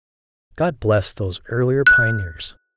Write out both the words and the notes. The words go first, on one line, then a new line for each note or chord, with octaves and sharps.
God bless those earlier pioneers!
F#6